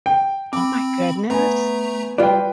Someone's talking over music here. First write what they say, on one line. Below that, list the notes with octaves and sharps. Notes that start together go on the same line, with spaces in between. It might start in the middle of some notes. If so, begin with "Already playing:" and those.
Oh my goodness.
G5
C4 B5 D6
A3 B3 G#5 A#5
G3 F4 B4 D5 G5